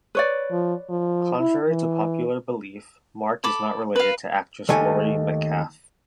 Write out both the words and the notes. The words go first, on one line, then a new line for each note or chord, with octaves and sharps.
Contrary to popular belief, Mark is not related to actress Laurie Metcalf.
B4 C#5 D5
F3
F3
E4
E3
A4 B5 D6
B4 F5
D#2 A3 G#5